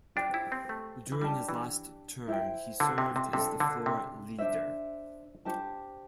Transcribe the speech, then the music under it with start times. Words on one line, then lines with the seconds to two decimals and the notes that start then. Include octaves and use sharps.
During his last term, he served as the floor leader.
0.16 D4 G4 C5 G5
0.34 E4
0.52 C4
0.69 A3
1.12 E3
1.21 G3 D4 G4 D5 A5
1.49 E3
2.27 E4 C5 E5 G5
2.80 D3
2.98 C3
3.16 C3
3.33 C3 D4 A4 C5
3.60 D3
3.86 C3
4.38 D4 C5 E5
5.45 D4 G4 C5 A5